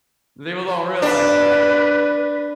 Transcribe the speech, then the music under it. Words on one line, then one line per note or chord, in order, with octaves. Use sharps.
People don't realize that.
D4 B4